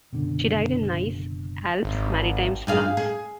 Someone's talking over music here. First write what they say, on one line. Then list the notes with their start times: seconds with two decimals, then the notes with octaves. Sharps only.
She died in Nice, Alpes-Maritimes, France.
0.13 F#1 B2 D3
1.85 G#1
2.67 G2 G#4 F5
2.97 G#4